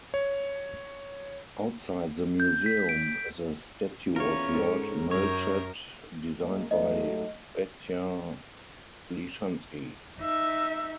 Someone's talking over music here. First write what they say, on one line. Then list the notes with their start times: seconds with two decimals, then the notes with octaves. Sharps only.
Outside the museum is a statue of Lord Melchett designed by Batya Lishansky.
0.14 C#5
2.40 G6
2.66 B6
2.89 D7
4.16 E2 C#4 F4 A#4 C#5
4.54 G#2 A4
5.11 F#2 A#4 C#5
6.40 G#3 A#3
6.71 G#2 F#3 A3 D#5
10.20 D#4 E5